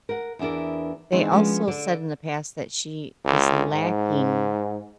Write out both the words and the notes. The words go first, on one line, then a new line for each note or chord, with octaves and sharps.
they also said in the past that she is lacking
A#4 F#5
E2 B3 D4 E4 A#4
D#3 E3 G#3 C4 D4
F3 G3 G#3 B3 C#4 D4
D3 D4
C#2
G#2